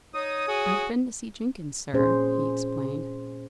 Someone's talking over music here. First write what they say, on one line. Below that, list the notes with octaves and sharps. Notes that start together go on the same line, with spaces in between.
"I have been to see Jenkins, sir," he explained.
D#4 C#5 D#6
F#4 G#4
A#2 C#4 G#4 C5